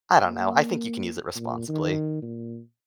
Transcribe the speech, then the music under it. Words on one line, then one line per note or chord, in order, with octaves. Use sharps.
I don't know. I think you can use it responsibly.
A#3
A#2
D#3
A#2